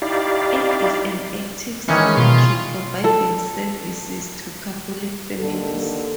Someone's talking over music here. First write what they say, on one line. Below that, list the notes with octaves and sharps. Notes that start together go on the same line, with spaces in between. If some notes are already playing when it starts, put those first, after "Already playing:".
It is an active cemetery providing services to Catholic families.
D#4 E4 G4 D5 F5
D#3 E3 C#4
B2 F4
A4
D#2 D3 A4